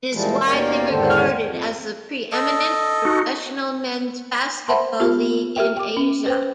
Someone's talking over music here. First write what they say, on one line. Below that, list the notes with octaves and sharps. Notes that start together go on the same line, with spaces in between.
It is widely regarded as the pre-eminent professional men's basketball league in Asia.
A#2 E3 F3 G3 G#3
D#2 B2 A#4 D5 F5 G5
E2 G#2 D3 D#3 A4 C5
F2
A4 D#5
D#4 F#4
C5 E5 F#5 A5 B5 C6
B3 F4 G4 A#4
G4 A#4 E5 G5
G5 D6
C#4
B4 C5 G5